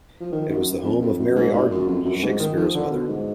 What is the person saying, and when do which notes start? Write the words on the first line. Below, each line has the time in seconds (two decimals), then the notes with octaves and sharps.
It was the home of Mary Arden, Shakespeare's mother.
0.21 F3
0.32 D#3
0.49 F#2
0.84 F2
1.02 F2
1.19 F#2
1.36 G#2
1.53 A#2
1.71 F#2
1.88 F2
2.05 F#2
2.17 F#2
2.23 G#2
2.39 D#3
2.57 F3
2.75 D3
2.91 B2
3.09 G#2